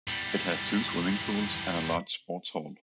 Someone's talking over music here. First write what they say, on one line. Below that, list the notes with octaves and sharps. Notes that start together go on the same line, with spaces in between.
It has two swimming pools and a large sports hall.
E2 G3